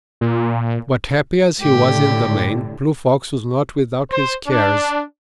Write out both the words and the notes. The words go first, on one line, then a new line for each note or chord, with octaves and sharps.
But happy as he was in the main, Blue Fox was not without his cares.
A#2
A2 D3 G4
C5
D4